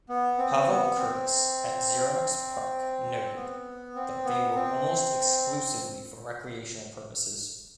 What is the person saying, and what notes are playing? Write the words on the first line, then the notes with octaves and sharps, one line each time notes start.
Pavel Curtis at Xerox Parc noted that they were almost exclusively for recreational purposes.
B3
C4
B3
C4
B3
C4
B3
C4